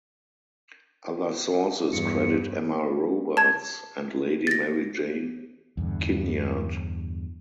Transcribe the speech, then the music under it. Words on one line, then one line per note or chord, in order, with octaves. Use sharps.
Other sources credit Emma Robarts and Lady Mary Jane Kinnaird.
E2 G2 C#7
A5 G#6
A6 A#6
E2 G2 D3